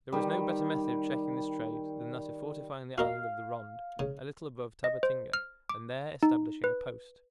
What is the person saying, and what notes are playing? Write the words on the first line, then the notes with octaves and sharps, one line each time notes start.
There was no better method of checking this trade than that of fortifying the Island of the Ronde, a little above Tabatinga, and there establishing a post.
D#3 G3
F#4 A#4 D#5 F5
C#3
D#5
C5
F6
D6
D#4
B4